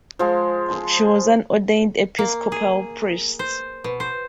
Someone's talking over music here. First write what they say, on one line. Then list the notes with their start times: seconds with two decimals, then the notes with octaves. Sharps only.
She was an ordained Episcopal priest.
0.19 F3 G#3
2.19 A#3
2.52 G#4
3.39 C5
3.84 B2
4.00 C5